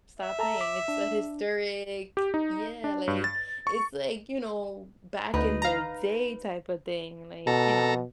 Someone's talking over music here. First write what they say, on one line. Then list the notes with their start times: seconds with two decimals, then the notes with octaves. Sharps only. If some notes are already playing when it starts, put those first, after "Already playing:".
stop playing. It's a historic, yeah. Like, it's like, you know, back in the day type of thing, like, you know,
0.19 E5
0.39 A4 A5 A#5
0.61 D6 B6
0.88 D4
2.17 G4
2.34 D#4
2.84 D4
3.08 G2
3.24 A6
3.67 C#6
5.34 D2 D#4 B4
5.62 F5 A#5
7.47 B2 A4 A#5